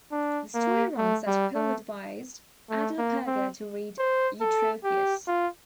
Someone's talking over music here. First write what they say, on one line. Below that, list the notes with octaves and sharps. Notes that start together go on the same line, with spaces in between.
The story runs that Paul advised Adelperga to read Eutropius.
D4
A#3
A3
G3
A3
A3
A#3
C4
C5
A4
G4
F4